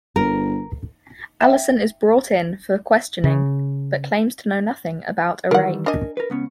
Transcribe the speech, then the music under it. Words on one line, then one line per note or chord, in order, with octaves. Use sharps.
Allison is brought in for questioning, but claims to know nothing about a rape.
G1 A#4
E5 G5
C#3
D#3 E3 G3 A#4 F#5
D4 A#4 D#5 G#5
A#4 B4
C#2 B3 C#4